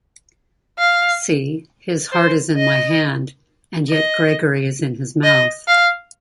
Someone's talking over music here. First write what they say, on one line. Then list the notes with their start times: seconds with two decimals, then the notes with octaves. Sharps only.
See, his heart is in my hand, and yet Gregory is in his mouth.
0.79 F5
2.12 C5
2.56 D#5
3.90 D#5
5.24 D#5
5.67 F5